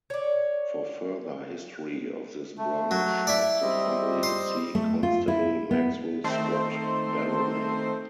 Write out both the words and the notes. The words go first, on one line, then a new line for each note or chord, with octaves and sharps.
For further history of this branch of the family, see Constable Maxwell-Scott baronets.
C#5 D5
A3
F#3
E4 D5
G3 C4 D#5
C5
A3
F4
E4
B3
D#3 A3 C4 C5